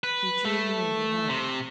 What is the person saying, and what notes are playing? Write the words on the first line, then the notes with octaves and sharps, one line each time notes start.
They drew near the elm.
B4
A3
C3